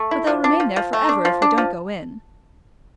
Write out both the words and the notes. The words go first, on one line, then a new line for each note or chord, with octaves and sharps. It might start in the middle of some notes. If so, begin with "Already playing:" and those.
But they'll remain there for ever if we don't go in.
Already playing: A3
E4
F3
D4
F3
F3
A3
D4
F3
D4
F3